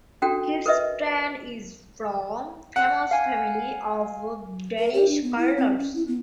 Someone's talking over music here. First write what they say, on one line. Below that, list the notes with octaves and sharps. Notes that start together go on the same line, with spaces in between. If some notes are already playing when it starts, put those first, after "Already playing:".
Kirsten is from famous family of Danish curlers.
C#4 D4 F#4 A4 G5
A#4 B4 D#5 E5
F#5
F5 G#5
A#4
G4
D4
B3
E4
C4
C#4
E4
B3